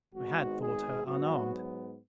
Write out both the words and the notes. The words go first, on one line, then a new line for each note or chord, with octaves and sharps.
I had thought her unarmed.
G#1 G#2 G#3 B3 F#4
G#4
G#2 F#3 B3 F#4